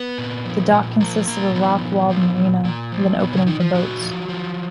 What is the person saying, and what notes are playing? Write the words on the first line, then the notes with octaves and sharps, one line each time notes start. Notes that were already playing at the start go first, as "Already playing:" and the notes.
The dock consists of a rock-walled marina with an opening for boats.
Already playing: B3 B4
A#2
F3
A#2
F3 A#3 A#4
A#2 A#3 A#4
F3 B3
A#2
F3
A#2
A#2 A#3
F3
A#2 B3
C#3 C#4
D#3 F3 D#4
F3 F4
A#2 F#3 F#4
F3
F3